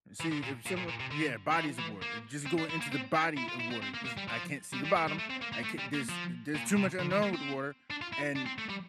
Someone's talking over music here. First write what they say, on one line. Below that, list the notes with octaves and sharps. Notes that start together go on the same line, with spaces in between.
see, if some yeah, bodies of water, just go into the body of water 'cause I can't see the bottom, I can't there's there's too much unknown with water, and
E3
D3
A#2
A#2
A#2
A#2
C3
D3
D3
E3
E3
A#3
C4
D4
E4
A#3
C4
D4
E4
F4
E4
C4
C4
A#3
A#3
G3
F3
G3
G3
A3
G3
A3
C4
A#3
A#3
A3
G3
A#3
F3
A#2
C3
D3
E3
A#3
C4
D4
F4
E4
D4
C4
A3
G3